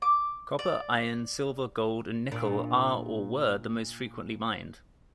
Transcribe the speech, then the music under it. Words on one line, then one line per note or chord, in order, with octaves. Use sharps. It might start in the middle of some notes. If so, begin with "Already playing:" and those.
Copper, iron, silver, gold and nickel are or were the most frequently mined.
D6
D5
A#2 D4